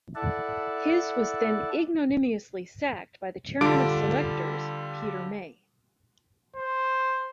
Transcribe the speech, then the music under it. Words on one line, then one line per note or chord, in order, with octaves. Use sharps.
His was then ignominiously sacked by the chairman of selectors, Peter May.
E4 A4 D5 E5 F#5 A5
D3 G3 F4 A5 D6 D7
C5